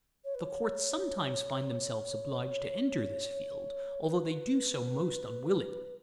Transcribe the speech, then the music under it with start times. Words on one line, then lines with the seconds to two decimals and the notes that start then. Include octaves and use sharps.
The courts sometimes find themselves obliged to enter this field, although they do so most unwillingly.
0.24 C#5
0.35 B4
0.44 C#5
4.02 B4